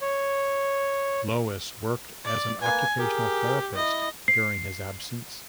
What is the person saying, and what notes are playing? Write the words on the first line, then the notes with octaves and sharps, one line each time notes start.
Lois worked as an occupational therapist during his absence.
C#5
D5
A#3 B4 G#5
G4 G#4 A#4
E4 D#5
C7